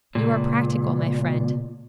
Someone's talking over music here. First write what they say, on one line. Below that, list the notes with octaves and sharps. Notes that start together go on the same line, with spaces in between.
'You are practical, my friend.
C#2 A#2